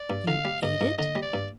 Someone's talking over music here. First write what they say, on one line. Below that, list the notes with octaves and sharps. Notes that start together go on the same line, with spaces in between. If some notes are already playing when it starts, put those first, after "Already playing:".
"You ate it?"
Already playing: D5
G2
D3 F5
G3
G2 D#5
G2
D3 D#5
G3
D5
G2